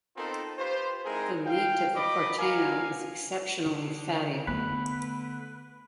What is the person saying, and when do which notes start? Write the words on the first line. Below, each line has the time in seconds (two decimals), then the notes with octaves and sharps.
The meat of the Corteno is exceptionally fatty.
0.17 B3 C4 D#4 F4 A4 A#4
0.58 F4 G4 B4 C5
1.05 G#3 C4 D#4 E4 G#4 A#4
1.46 F5 G5
1.95 D5 D#5 B5 D6
2.38 A#4 F5 G#5
3.66 D3
4.47 A3 B3 B4